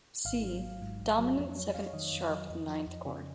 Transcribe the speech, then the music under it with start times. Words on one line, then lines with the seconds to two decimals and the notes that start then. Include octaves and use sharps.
See: Dominant seventh sharp ninth chord.
0.25 G#1 F5
0.44 F#3
0.63 G#1
0.82 G#2
1.01 G#1
1.19 F#3
1.37 F2 C#5
1.56 F#3 C#5
1.74 F2 F5
1.87 C#5
1.93 D#3 D#5
2.07 C#5
2.12 F2
2.22 F5
2.31 F#3 D#5
2.49 F2
2.68 F3
2.87 F2
3.05 C#3